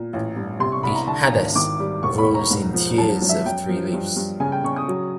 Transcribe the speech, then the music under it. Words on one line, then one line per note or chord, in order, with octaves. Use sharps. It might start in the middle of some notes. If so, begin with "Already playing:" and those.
The "hadass" grows in tiers of three leaves.
Already playing: A#2
A1
G2
C3 C6
C#6
C2 B5
A#5
D3 A5
A#5
G#1
D#3 D6
G3
E1 C#6
B5
E1
A#5
G#2
F3
F#2 A5
F#2
E5
F#2 G5
F3
G2
G2
C#3 G#5
G5
C#3 C#6
D#6
F#3